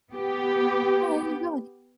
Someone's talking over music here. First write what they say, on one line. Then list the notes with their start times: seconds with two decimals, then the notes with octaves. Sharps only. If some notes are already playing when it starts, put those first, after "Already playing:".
Oh, my god.
0.13 B3 G4